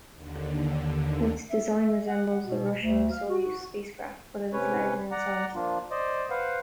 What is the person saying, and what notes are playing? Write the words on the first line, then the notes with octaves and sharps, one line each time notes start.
Its design resembles the Russian Soyuz spacecraft, but it is larger in size.
D#2 D3
E5
F#5
B2
D2
F5
F#4
C3 C#4 B4 C#5
D5 F#5 A#5
F3 A#3 D4 F4
C5 D5 D#5
B4 C5 F5 F#5